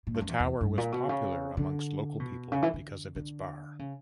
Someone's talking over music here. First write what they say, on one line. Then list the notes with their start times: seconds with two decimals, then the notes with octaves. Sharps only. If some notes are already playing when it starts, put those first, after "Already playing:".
The tower was popular amongst local people because of its bar.
0.07 A#2
0.14 G2
0.21 F#2
0.29 E2
0.40 E2
0.61 G2
0.78 A#2
0.92 B2
1.09 C#3
1.57 D3
2.20 B2
2.52 C#3
2.62 E3
2.74 D3
3.16 D3
3.79 C#3